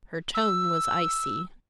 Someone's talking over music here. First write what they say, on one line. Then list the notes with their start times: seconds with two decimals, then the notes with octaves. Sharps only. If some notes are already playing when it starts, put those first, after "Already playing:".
Her tone was icy.
0.35 E6